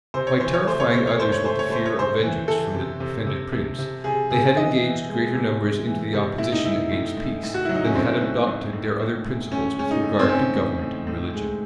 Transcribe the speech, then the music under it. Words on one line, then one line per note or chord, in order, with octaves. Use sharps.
By terrifying others with the fear of vengeance from the offended prince, they had engaged greater numbers into the opposition against peace, than had adopted their other principles with regard to government and religion.
C3 C5
C#5
E3 C5
C#5
A3 C5
C#5
C3 C5
C#5
A3 C5
C#5
A3 C5
C#5
A3 C5
C#5
C3 C5
E3
E3 A4
C3
C3
C3
C3
C3
C3 G#4
C3 G#4
E3 D#5
E3
G#3
C3
G#3
E3
C3
A2 E4
D#4
A2 E4
A2
A2
A2
F#4
F#3 E4
D#4
C#4
A3 C4
A2
A2
A2
A2
A2
A2 C#4
G#3 C#4
D#4
A2
C4
A2 C#4
A2
A2
A2
G#3